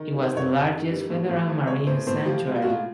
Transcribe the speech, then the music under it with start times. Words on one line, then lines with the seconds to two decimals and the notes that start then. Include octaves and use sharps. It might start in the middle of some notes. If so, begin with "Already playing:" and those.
It was the largest federal marine sanctuary.
Already playing: D#3
0.13 G3
0.22 C5
0.32 F#2 C#5
0.52 F#2
0.72 D#3
0.90 G3
1.10 A2
1.29 A2
1.49 F3
1.67 G#3 C#5
1.87 A2 C5
2.07 A2 C5
2.26 F3 G4
2.46 G#3
2.56 F4
2.62 F#4
2.65 A2
2.70 F4